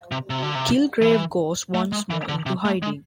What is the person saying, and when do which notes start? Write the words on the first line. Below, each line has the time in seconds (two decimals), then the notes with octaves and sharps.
Killgrave goes once more into hiding.
0.11 C3
0.30 C3
0.43 D3
0.55 C3
1.02 E3
1.74 A3
1.92 G#3
2.10 E3
2.28 D3
2.46 C3
2.65 A3
2.83 G#3